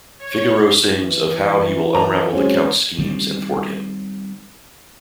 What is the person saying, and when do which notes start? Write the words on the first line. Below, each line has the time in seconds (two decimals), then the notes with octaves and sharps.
Figaro sings of how he will unravel the count's schemes and thwart him.
0.18 C#5
1.00 E3
1.94 A5 A#5
2.33 F#3 G#3 C4 C#4
2.98 D#3 G3 C4